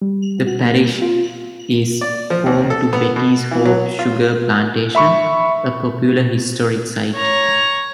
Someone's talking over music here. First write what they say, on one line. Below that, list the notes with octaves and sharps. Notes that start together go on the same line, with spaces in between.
The parish is home to Betty's Hope Sugar Plantation, a popular historic site.
G3
F#4
A#3
F4
D5
F3
D#2
A4
B3
B2
E3
F#3
F4
E5 B5 C#6
C#5 A#5